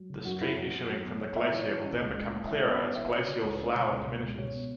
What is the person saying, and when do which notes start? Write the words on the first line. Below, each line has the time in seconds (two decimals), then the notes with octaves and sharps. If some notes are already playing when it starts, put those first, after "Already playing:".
The stream issuing from the glacier will then become clearer as glacial flour diminishes.
Already playing: F#3
0.10 C#3
0.25 F#2 F#4
0.41 F#3 E4
0.57 F#2 F#4
0.73 F#2
0.89 F#2
1.04 B3
1.21 B3 C#5
1.36 E3 E5
1.52 E3 C#5
1.69 E3
1.84 C#4
2.00 C#2
2.16 G#3
2.32 C#4
2.47 E3 E5
2.64 B3 B4
2.79 B3 C#5
2.96 E3 E5
3.12 C#4 C#5
3.27 C#3
3.43 C#2 C#5
3.54 B4
3.59 C#4 C#5
3.75 B2
3.91 C#2
4.07 B2
4.23 C#2
4.38 B2 C#5
4.55 B3